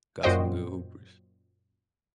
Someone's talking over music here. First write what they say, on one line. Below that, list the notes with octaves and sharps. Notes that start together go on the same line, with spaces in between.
Got some good hoopers.
F#2 A#2 F#4 C5 D#5 G5